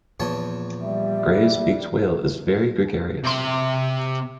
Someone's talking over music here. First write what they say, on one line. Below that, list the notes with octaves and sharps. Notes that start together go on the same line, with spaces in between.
Gray's beaked whale is very gregarious.
E2 A#2 F3 C#5 A5
G3 E5
C3 C6